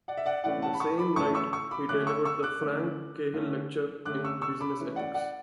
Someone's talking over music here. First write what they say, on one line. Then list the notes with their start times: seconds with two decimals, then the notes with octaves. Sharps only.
The same night, he delivered the Frank Cahill Lecture in Business Ethics.
0.08 D5 F#5
0.17 E5
0.26 D5 F#5
0.44 A2 E3 A3 C#4 D5 F#5
0.62 F#5 A5
0.74 B5
0.80 A5 C#6
0.98 B5 D6
1.16 A2 E3 A3 C#4 A5 C#6
1.34 C#6 E6
1.53 C#6 E6
1.71 B5 D6
1.89 D3 A3 C#4 D6 F#6
2.07 C#6 E6
2.25 C#6 E6
2.43 D6 F#6
2.61 D3 A3 C#4
3.34 D3 A3 C#4
4.05 D3 A3 C#4 D6 F#6
4.24 C#6 E6
4.42 C#6 E6
4.61 B5 D6
4.79 E3 A3 C#4
4.96 D5 F#5
5.14 D5 F#5